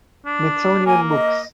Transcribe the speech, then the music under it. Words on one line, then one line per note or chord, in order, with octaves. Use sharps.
Smithsonian Books.
D4
A#3 G#5
D#5